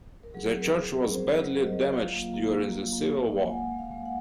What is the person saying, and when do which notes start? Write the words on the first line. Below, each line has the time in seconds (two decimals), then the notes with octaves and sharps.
The church was badly damaged during the Civil War.
0.23 A#4
0.34 F#3 G#4
0.54 C4
0.61 A#4
0.73 F#3
0.79 G#4
0.88 A#4
0.93 C4
1.14 C4 C5
1.30 F#3 A#4
1.41 C5
1.53 F#3
1.66 D#5
1.73 F#3
1.93 F4 F5
2.13 A#3
2.33 A#3
2.52 A#3
2.72 A#3
2.93 A#3
3.13 A#3
3.32 A#3
3.47 G#5
3.51 G#3 F#5
3.71 G#3
3.79 F5
3.92 G#3
4.06 F#5